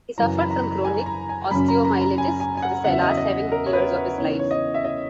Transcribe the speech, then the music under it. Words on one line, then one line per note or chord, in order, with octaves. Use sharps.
He suffered from chronic osteomyelitis for the last seven years of his life.
F#2 C#3 E3 A#5
B5
A#5
G#5
A#5
G#5
F#2 C#3 F#3 C#4 B5
A#5
A#5
A#5
G#5
G#5
G#5
F#5
E2 C#3 F#3 F#5
E5
D#5
E5
D#5
A#4
C#5
B4
B4
C#3 E3 B3 D#4 C#5
C#5
D#5
E5
D#5